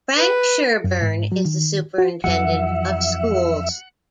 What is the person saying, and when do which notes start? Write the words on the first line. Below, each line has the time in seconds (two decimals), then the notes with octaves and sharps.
Frank Sherburne is the Superintendent of Schools.
0.17 B4
0.84 F#2
1.02 G#2
1.32 F#3
1.45 D#3
1.98 F#4
2.24 F2 E3 F#3 E5 F#5